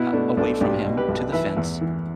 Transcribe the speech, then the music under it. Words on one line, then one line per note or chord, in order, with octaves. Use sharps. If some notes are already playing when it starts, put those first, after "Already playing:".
a away from him to the fence,
Already playing: B2 B3 E4
B2 A3 D4
B1 A3 D4
B1 D4 G4
B2
G4 B4
B1
E3 B4 E5
E2
E3